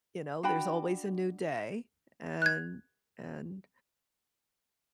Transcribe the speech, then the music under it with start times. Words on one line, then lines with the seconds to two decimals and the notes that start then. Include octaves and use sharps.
you know, there's always a new day, and and
0.43 D4 F#4 G5 B5
2.42 F#6 G#6